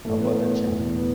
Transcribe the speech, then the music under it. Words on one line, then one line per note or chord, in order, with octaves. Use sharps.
How about that check?
A2 E3 A3
B3
E2 B2
B3